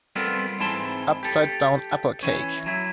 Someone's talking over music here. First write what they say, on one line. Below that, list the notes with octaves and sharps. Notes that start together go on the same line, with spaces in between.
Upside down apple cake.
G3 B3 C4 F4 A4 A#4
G#2 E3 C4 E4 A5 C6
G4 A4
E3 C#4
F#3 E4